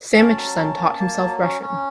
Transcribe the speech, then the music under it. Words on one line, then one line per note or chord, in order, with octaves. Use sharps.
Samachson taught himself Russian.
C#4 A5
F#3
C#4
A#3
A#3
F#3
C#4
C#4